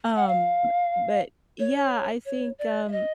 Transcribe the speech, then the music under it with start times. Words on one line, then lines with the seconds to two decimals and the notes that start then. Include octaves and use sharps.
um but yeah, I think, um,
0.16 F#5
0.27 F5
1.60 C#5
2.26 C#5
2.59 D5
2.88 E5
2.92 D#5